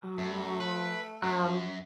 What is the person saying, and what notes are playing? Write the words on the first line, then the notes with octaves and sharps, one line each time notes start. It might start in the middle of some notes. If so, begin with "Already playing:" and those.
Oh. Um
F#2 A3
B4
F#2